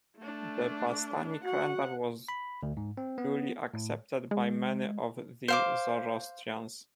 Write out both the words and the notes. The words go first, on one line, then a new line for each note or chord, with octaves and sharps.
The "Bastani" calendar was duly accepted by many of the Zoroastrians.
A3 D4
F#4 F#5
B5
D2
G#2
C4
B3
A2
G#3
C5 F5 D6